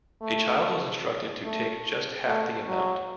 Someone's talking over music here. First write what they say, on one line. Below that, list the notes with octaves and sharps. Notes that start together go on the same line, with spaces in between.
A child was instructed to take just half the amount.
A3
A3
A3
F#3